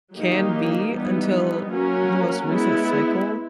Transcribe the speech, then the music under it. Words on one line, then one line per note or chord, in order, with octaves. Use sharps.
can be until the most recent cycle
D#3 F#3 A#3 D#4 G4
E3 G3 B3 D#4
F#3 A#3 C#4 F#4 A#4
G#3 B3 E4